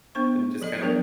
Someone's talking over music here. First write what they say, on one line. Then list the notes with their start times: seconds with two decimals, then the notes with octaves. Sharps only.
And just kind of
0.15 B3 D4 C5 C#6
0.61 F3 A4 D#5
0.81 F3 F#3 B3 D4 A#4